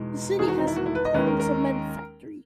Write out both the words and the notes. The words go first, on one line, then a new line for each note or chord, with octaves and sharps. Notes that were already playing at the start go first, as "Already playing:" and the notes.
The city has an important cement factory.
Already playing: E2 B2 G#3 D#4
E1 E2 D#3 G#4
F#4
D#4
E4
F#4
E4
B4
D#5
D#2 D#3 G#3 C#4 B4
A#4
A#4